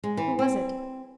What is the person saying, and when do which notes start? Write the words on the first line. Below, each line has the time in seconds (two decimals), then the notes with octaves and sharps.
"Who was it?"
0.04 G#3
0.17 E3
0.39 C4